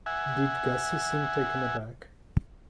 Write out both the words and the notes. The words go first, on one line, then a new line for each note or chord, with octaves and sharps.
Did Gussie seem taken aback?
E5 F#5 G#5